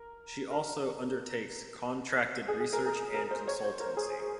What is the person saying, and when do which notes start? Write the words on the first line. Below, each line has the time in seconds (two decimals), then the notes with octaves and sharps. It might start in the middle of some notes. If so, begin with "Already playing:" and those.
She also undertakes contracted research and consultancy.
Already playing: A#4
0.50 A#4
2.48 G#4
2.60 G#4
2.73 A#4
2.86 G#4
3.14 A#4
3.31 C5
3.47 C#5
3.64 C5
3.80 A#4
3.97 G#4